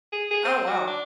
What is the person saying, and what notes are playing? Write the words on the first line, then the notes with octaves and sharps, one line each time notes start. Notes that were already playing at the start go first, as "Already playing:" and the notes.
Oh, wow.
G#4
G#4
C4
F#3
D4